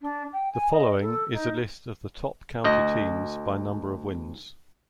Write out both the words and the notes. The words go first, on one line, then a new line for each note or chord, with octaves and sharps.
The following is a list of the top county teams by number of wins.
D4
G5
G#5
D#5
A4
D#4
D2 D#5